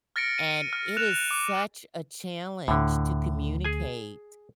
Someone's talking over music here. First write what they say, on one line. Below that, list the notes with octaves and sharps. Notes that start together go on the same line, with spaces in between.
and it is such a challenge to communicate
F6 A6 A#6 C#7 D7
D#7
F6
F#6 E7 F7
D6
D2 A2 D3
G#4 G#5